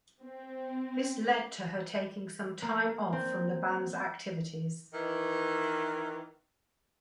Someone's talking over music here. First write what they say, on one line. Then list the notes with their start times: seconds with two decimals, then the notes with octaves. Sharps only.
This led to her taking some time off from the band's activities.
0.22 C4
2.62 A#3
3.13 C4
4.94 D#3 E3